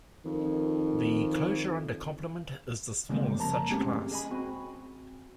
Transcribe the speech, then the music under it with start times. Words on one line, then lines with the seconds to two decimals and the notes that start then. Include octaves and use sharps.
The closure under complement is the smallest such class.
0.25 F2 D#3
3.09 C#3 G3 G#3 A#3 C4
3.38 F2 A#3 A5 A#5
3.70 G#3 A3 C4 C#4 G4 G#4
4.11 G#4 D#5 G#5 B5
4.31 C4 F#4